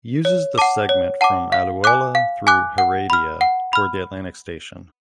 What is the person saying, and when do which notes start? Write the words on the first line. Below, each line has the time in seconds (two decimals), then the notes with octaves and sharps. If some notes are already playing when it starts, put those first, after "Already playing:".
Uses the segment from Alajuela through Heredia toward the Atlantic station.
0.25 C#5
0.58 F#5 A5 D6
0.89 C#5
1.21 F#5 A5 D6
1.52 F5
1.84 G#5 D6 F#6
2.15 F5
2.47 G#5 D6 F#6
2.78 F#5
3.10 B5 F6
3.41 F#5
3.73 B5 F6